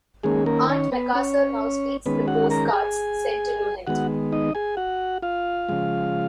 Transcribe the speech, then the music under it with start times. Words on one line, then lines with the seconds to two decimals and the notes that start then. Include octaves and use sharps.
Auntie Macassar now speaks in the postcards sent to Loonette.
0.24 D#3 G#3 A#3 C#4 G#4
0.46 A#3 A#4
0.70 C#4 C#5
0.92 B3 B4
1.15 C#4 C#5
2.06 D#3 G#3 B3 C#4 B4
2.28 F#4 F#5
2.50 A#4 A#5
2.68 A#5
2.73 G#4 G#5
3.87 D#3 G#3 B3 F#4 F#5
4.32 D#4 D#5
4.55 G#4 G#5
4.77 F#4 F#5
5.22 F4 F5
5.69 C#3 F3 G#3